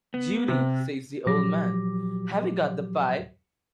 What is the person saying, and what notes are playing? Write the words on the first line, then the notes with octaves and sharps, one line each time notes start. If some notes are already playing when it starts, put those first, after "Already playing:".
"Judy," says the old man, "have you got the pipe?"
B3
C3
A#2 F3 F#3 G4 D6 A#6